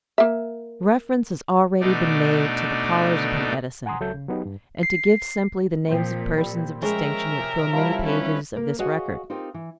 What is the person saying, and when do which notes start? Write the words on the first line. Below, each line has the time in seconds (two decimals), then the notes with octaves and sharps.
Reference has already been made to the callers upon Edison; and to give simply the names of persons of distinction would fill many pages of this record.
0.18 A#3 E5
1.81 B2 A3 D4 D#4 D5
3.86 F#5 G#5 A#5 C6 D#6
4.00 C#2 F#3 A4 E5 G6
4.14 C#3
4.28 F#3 B3 D#4 G4
4.45 G2
4.83 C7
5.89 A#2 F3 C4 C5 G5
6.37 A#2 G3 E6
6.82 F3 G#3 C4 C#4 A#4 E5
7.39 C3
7.73 F3 G3 E4 A#5 E6
8.05 C#4 B4
8.56 A#3 A#4
8.79 F#4 G#4 C#5 D#5 F5 F#5
9.30 C4 D#4 F4 G4 A#4
9.54 E3